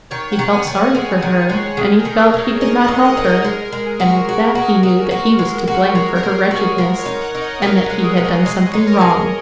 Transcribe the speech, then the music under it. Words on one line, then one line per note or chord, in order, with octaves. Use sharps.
He felt sorry for her, and he felt he could not help her, and with that he knew that he was to blame for her wretchedness, and that he had done something wrong.
D#3 C#5
F#5
D#3
G#5
D#3
F#5
G#3
D#3
G#3
D#3 G#4
A#4
D#3
A#4
D#3
C#5
D#4 D#5
F#5
D#4
D#5
D#4
A#4
C#5
G#3 A#4
A#4
G#3
G#4
F#4 G#4
A#4
F#4
F#4
F#4
F#4
G#3
F#4
G#3 C#5
A#4
G#3
A#4
F#4
G#4
G#3 A#4
C#5
D#4
F#5
D#4
D#5
D#4 A#4
A#4
G#3
G#4
G#3
A#4
G#3 D#5
C#5
D#4
C#5
A#4
G#4
A#4